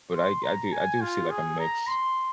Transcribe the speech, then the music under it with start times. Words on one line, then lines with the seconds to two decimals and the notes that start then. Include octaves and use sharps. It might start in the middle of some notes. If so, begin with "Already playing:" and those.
But, I I do I do see, like, a mix.
0.15 C6
0.43 A#5
0.72 G#5
1.01 F4
1.30 G#4
1.59 A#5
1.87 C6